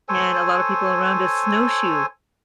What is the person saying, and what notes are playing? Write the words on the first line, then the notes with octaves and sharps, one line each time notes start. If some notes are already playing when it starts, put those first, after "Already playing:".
and a lot of people around us snowshoe.
A4 C5 C#5 G#5